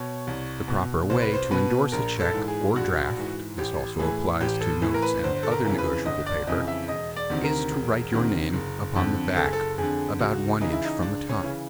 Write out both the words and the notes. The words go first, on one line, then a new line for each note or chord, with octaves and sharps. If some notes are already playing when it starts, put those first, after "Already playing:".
The proper way to indorse a check or draft--this also applies to notes and other negotiable paper--is to write your name upon the back about one inch from the top.
Already playing: B2 C#5
C2
B2
C2 C5
B4
C5
B2 B4
A#1 A#4
A4
G#2 E3
G#4
A#1 F#4
G#2 E3
A1 G4
A2 E3 G#4
A1 G4
A4
A2 E3
A#4
B4
G1 C5
A4
A#4
F2 C#3 E3
B4
G1 D#5
D5
F2 C#3 E3 D#5
E5
E1 D#5
D5
D2 C3 D#3
A#4
E1
D2 C3 D#3
F#1
F2 D3
F#1 A4
G#4
A4
F2 D3 G#4
C#2 F#4
C#3 E3 D#4
E4
D#4
C#2 D4
C#4
C#3 E3